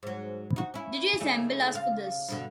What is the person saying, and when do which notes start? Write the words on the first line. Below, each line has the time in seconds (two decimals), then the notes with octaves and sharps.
Did you assemble us for this?
0.03 G#2 F#3
0.56 D#4 F#4
0.74 C#4 E4
1.20 C#3 A3 D#4
1.73 C#3 F5
2.28 G2 B2 D3